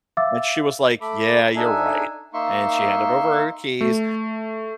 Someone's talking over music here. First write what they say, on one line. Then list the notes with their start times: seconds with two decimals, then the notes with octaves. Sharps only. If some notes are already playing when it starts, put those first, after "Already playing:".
and she was like, "Yeah, you're right," and she handed over her keys,
0.17 E5 F5 D6 E6 A6
1.01 A3 A4 B5 D6
1.55 D4 D#4 A4 E5 G#5
2.34 A#3 D#4 E5 C6 C#6
3.81 A3